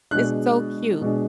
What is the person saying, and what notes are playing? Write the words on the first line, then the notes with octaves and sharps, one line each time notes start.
It's so cute
B2 G#3 D4 F#6
B2 G#3 D4